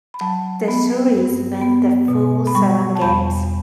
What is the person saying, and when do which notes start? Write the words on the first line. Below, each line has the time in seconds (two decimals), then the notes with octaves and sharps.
The series went the full seven games.
0.14 B5
0.21 F#3 A5
0.68 B3 B5
1.14 G2
1.61 B3
2.08 B2
2.47 B5
2.55 G3 C#6
2.95 A5
3.01 E2 B5